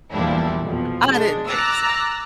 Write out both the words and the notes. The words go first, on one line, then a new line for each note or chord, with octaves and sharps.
I didn't think so.
E2 A#2 F3 G3 D4 E4
F2 B2 F3
G#3 D4
A#5 D6 E6 F#6 A6 A#6